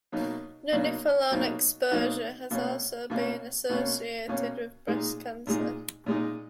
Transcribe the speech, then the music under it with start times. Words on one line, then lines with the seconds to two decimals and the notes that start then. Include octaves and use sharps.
Nonylphenol exposure has also been associated with breast cancer.
0.12 B2 F#3 A#3 D#4
0.72 B2 F#3 A#3 D#4
1.31 B2 F#3 A#3 D#4
1.91 B2 F#3 A#3 D#4
2.51 B2 A#3 C#4
3.10 B2 A#3 C#4
3.69 B2 A#3 C#4
4.28 B2 A#3 C#4
4.87 A#2 G#3 D#4
5.47 A#2 G#3 D#4
6.06 A#2 G#3 D#4